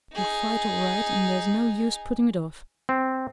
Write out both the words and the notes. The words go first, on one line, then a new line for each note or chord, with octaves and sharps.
He'll fight all right and there's no use puttin' it off.
D#4 G#4
C4